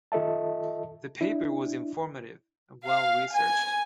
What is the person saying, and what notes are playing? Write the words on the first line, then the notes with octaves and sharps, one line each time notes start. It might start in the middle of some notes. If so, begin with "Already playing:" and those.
The paper was informative and well researched.
D#3 F4 A4 D#5 E5 A5
D4 E4
F5
G#5